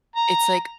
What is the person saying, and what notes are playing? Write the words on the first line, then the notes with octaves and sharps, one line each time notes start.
it's like,
A#5